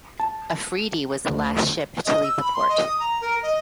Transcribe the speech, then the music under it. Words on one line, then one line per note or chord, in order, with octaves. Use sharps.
"Afridi" was the last ship to leave the port.
A5
D2
D#5
E6
B5
C6
D#5
D#6
A#5
A#4
D#5